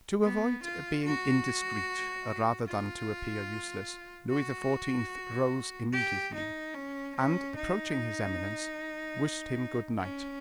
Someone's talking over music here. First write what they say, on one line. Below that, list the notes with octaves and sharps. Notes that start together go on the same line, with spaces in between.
To avoid being indiscreet, rather than to appear useless, Louis XIV. rose immediately, and approaching his eminence, wished him good-night.
B3
F4
F#4
F4
F#4
G4
D#4
C#4
C#4
D#4
C#4